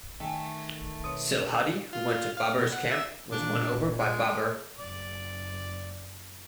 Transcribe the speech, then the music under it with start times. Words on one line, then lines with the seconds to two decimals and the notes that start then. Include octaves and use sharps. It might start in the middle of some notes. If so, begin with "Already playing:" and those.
Silhadi who went to Babur's camp was won over by Babur.
0.20 D#3 A3 G5 G#5
1.04 B2 C4 C#5
1.93 F4
2.37 F5
2.58 B2
2.72 F#5
2.91 E5
3.32 A#2 D4
3.99 G#3
4.78 F#1 D5